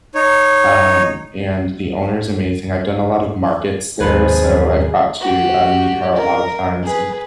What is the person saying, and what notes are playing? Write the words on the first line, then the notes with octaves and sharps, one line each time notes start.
Um, and the owner's amazing, I've done a lot of markets there, so, I've got to, uh, meet her a lot of times and,
D#4 C#5
D#2 G#2 C3 F3 G#4 B4
F#4 G4
A#4
G#4 B4